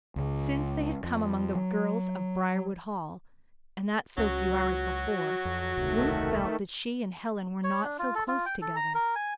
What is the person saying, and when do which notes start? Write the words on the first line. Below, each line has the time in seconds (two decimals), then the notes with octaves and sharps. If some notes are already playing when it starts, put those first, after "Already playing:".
Since they had come among the girls of Briarwood Hall--and that so few hours before--Ruth felt that she and Helen were not so close together.
0.16 C#2 C#3
1.04 F2
1.55 F#3
4.17 C#2 F#3 C#4 F#4
5.45 F2
5.77 E1 C#2 C3 D#3 A3
7.64 C#5
7.84 D4
7.99 F4
8.15 A4
8.28 F4
8.46 G5
8.61 A4
8.76 A#5
8.95 A#4
9.15 G#5